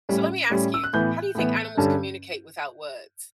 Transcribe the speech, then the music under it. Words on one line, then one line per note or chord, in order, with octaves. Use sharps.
So, let me ask you, how do you think animals communicate without words?
A2 G3 C#4
A2 G3 C#4
E6
F#6
A2 E3 B3 G6
A2 E3 B3
G2 D3 G3 C#4 A5